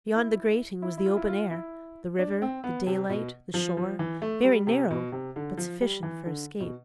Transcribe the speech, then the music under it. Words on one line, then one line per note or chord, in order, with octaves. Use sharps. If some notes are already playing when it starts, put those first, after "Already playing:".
Beyond the grating was the open air, the river, the daylight, the shore, very narrow but sufficient for escape.
E4
E4
E4
F4
E4
F4
E4
D4
C4
B3
C3
B2
F3
F3
E3
A3
G3
C3
B2
C3
D3
F3
G3
E3
D3
B2